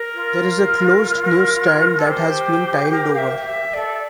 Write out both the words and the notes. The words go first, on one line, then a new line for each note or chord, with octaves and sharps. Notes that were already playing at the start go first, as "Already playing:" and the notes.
There is a closed newsstand that has been tiled over.
Already playing: A#4
F4
A#4
A4
G4 C5
A#4
F5
E5
E5
A4 D5